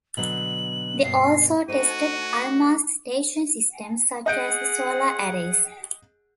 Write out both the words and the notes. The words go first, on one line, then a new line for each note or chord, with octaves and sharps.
They also tested Almaz station systems, such as the solar arrays.
B2 D3 F#3 F#7
G2 B2 C7
A3 D#4 F#4 C5 D#7
G#4 D#5 F#5 G6 D7